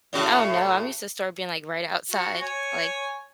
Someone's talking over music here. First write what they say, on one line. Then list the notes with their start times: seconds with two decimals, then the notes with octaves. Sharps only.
Oh, no. I'm used to store being, like, right outside, like
0.13 A2 C#3 F#4
2.12 F#4
2.41 C#5 G#5